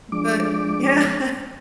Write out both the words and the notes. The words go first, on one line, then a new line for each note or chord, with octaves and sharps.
but Yeah.
F3 G#3 D4 D6